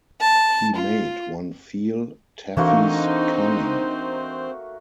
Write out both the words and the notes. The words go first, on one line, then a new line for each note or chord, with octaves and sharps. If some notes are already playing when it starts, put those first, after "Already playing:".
He made one feel Taffy’s cunning.
A5
F4
E3 A3 A#3 C4 D4 D#4 F#4 C5